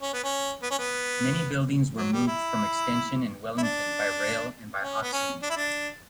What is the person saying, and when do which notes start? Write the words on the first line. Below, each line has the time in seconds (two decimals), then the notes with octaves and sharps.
Many buildings were moved from Extension and Wellington by rail and by oxen.
0.02 C#4
0.13 B3
0.24 C#4
0.62 B3
0.71 C#4
0.79 B3
1.97 F#3
2.12 G3
2.27 E4
3.58 E4
3.62 D4
4.83 C#4
5.02 B3
5.12 C#4
5.42 D4
5.50 E4
5.56 D4